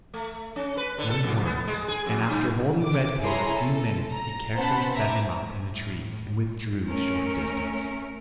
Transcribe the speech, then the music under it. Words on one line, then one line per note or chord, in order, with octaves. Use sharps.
None were, and after holding Redcoat a few minutes he carefully set him up in a tree and withdrew a short distance.
A3
C#4
B4
D3
A4
F2
B3
G#3
G#4
F2
G2
D6
E4 G#4 A4 C#5 A#5 C6
A4
A#5
B3 C#4 C5 F#5 A5 B5
E5 A#5 D6
A2
A3 C#4 A#4